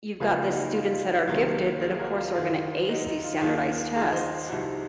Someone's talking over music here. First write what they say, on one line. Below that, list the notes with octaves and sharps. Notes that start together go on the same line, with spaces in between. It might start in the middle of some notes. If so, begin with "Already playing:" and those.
you've got the students that are gifted that, of course, are gonna ace these standardized tests,
C#2 C#3 F3 A#3 F4 G#4
D#4 F#4
F4
C2 C3 D#3 F#3 A#3 F4
F4 G#4
G#4
F#4 A#4
F4
F#1 F#2 D#3 F4 G#4
D#4 F#4
D#4
F4
D#2 D#3 A#3 F4 G#4
F4 G#4
C5 D#5
C2 C3 F3 D#4 F#4